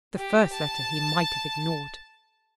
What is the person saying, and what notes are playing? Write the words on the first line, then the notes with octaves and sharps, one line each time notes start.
The first letter he might have ignored.
G4
A5